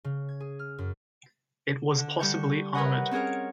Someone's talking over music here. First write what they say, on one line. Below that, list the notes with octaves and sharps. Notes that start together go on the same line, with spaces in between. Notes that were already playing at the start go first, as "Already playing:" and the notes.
It was possibly armoured.
C#3
G#6
G#4
F6
F#2
D3
D3 G3 C#6 G6
A#4 B4 C#5 D#5 F#5
C4 C#4 G#4 A#4 C#5